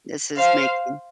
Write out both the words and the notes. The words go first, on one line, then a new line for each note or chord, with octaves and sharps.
this is making
C5 F5